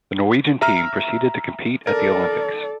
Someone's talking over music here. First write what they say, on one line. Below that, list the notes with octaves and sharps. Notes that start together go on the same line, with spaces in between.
The Norwegian team proceeded to compete at the Olympics.
E5 A#5 F6
A4 A#4 D5